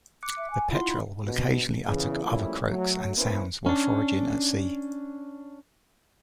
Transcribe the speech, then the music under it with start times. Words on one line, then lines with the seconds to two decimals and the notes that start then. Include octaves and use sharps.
The petrel will occasionally utter other croaks and sounds while foraging at sea.
0.23 D6 F#6 C#7
0.37 E5
0.51 G#5
0.71 E4 F4 F#5 C6
0.86 D#4 B5
1.24 A#1 B2
1.87 E2 C#3 E3
2.25 F3 G3 A3 A#3 C#4 E4
2.69 F#3 A3
3.17 A#3 B3 C#4 E4 B4 C5
3.66 C#4 D4